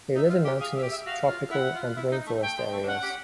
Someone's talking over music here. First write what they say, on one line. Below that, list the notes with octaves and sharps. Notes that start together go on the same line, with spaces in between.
They live in mountainous, tropical, and rainforest areas.
D#4 E5
F4
G4
G#4 F5
E5
G4
E5
F#4 F5
F4
E4 F#5
F4
E4
D#4
A3
A3 G5
G#3
A3
D4
C#4 F#5
G4